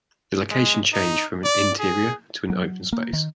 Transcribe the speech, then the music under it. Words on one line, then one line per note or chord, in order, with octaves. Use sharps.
The location changed from an interior to an open space.
G#3
D#4
D5
G#4
F#3
A#3
D#3